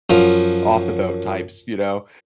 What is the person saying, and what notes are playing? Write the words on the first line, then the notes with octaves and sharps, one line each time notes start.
off the boat types, you know?
F#2 F3 F5